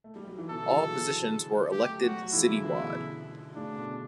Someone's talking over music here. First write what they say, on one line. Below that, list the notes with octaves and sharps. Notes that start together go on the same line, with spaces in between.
All positions were elected citywide.
A3
G3
F#3
E3
B2 D3 A4
F#3
C#3 E3
D3 F#3
F#3 A3 G4
F#3 A3
F#3 A3 F#4
F#3
C#3 E3 E4
D3 F#3
C#3 E3
B2 D3
A2 C#3 D4
B2 D3